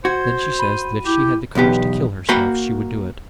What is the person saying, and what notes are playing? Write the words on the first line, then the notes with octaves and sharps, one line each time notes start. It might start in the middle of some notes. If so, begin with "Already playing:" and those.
Then she says that if she had the courage to kill herself, she would do it.
F#4 C5 G#6
B5 D#7
E4 G4
B1 E2 B3 G4
A#3 F#4 F#5 G5 B5